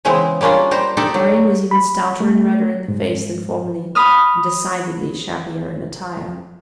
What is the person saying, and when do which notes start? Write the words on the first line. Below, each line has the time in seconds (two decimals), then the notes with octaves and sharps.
Marian was even stouter and redder in the face than formerly, and decidedly shabbier in attire.
0.05 C#3 E3 G#3 B3 C4
0.41 G3 A#3 C#4 D4 F4
0.71 G3 C5 A#5
0.97 D4 D#4 G4 A4
1.14 F#3
1.71 B5
2.20 A3
2.88 G#2
3.95 B5 D#6 F6